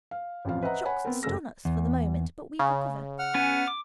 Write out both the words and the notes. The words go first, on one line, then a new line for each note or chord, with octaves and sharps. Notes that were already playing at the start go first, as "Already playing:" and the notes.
Shocks stun us for the moment, but we recover.
F5
A1 F2 F3 F5
B4 C5 D#5 E5 F#5 A#5
C#5 F#5 G#5 B5
B3 C4 A#4
F#1 G#3 A3 E6 A#6
E2
C#3
F#5 F6
B3 C#4 G#5
D6